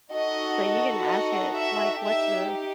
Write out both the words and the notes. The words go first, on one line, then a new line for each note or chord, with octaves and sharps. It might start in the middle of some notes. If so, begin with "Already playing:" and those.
So you can ask it, like, "What's the"
D#4 F#4 A4 D#5
D#5
E5
D#4 G4 E5